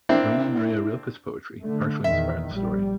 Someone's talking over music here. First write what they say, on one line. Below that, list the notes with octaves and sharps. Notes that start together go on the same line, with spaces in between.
Rainer Maria Rilke's poetry partially inspired the story.
A#3 C4 D4 E4
D3 A3
E2 A#2 D#3 E5
A#1 A#2 G3